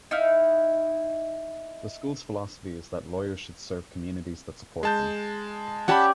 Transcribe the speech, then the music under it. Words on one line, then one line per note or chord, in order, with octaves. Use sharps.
The school's philosophy is that lawyers should serve the communities that support them.
D#4 E4 F5
G#3 A5 G6
C#4 G4 D5 F#5 A5 B5